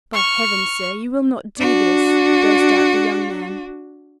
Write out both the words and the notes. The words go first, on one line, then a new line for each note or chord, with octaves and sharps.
"By Heaven, sir, you will not do this!" burst out the young man.
C#6 F6
D4 F#4